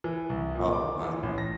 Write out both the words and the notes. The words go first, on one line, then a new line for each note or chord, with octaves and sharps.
Oh, wow.
E3
C2
A#2
D6
E3
A1
A#6